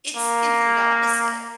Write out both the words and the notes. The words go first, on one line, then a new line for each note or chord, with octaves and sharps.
It's the complete opposite.
A#3